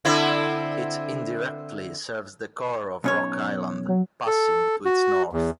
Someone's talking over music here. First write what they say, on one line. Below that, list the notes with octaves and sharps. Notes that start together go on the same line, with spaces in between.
It indirectly serves the core of Rock Island, passing to its north.
D3 C4 E4
B1 C#4 C#5
F#3
A4
F#4
E2